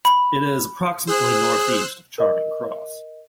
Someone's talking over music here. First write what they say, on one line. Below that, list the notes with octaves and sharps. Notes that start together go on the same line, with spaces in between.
It is approximately north-east of Charing Cross.
B5
G#4 C5 E6 F#6
A#4 D#5